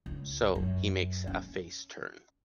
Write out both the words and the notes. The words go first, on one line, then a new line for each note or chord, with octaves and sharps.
So he makes a face turn.
C#2
F#2
C#4